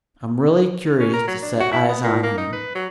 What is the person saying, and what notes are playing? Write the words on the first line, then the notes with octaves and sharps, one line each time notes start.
I'm really curious to set eyes on him.
C#4
A#4
F#3
D4
F#4
E4
B3
A#2
A#3
D#4
B4
F#3